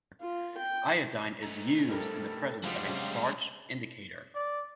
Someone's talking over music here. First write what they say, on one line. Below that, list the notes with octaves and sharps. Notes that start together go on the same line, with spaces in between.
Iodine is used in the presence of a starch indicator.
F4
G5
A3 D#4 A#5
A#1 G3 A4 A#4
D2 C#3 F3 G3 G#3 D4 F#4 F5
C3 F#3 C#4
D5